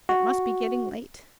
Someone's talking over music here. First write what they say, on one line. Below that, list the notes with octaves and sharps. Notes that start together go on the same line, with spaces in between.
It must be getting late!
F#4